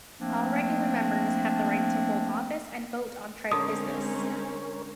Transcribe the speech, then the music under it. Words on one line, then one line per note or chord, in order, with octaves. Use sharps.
All regular members have the right to hold office and vote on Tribe business.
F3 A3 A#3 C4 D4
D3 G#3 C4 C#4 A#4 C#5 D#6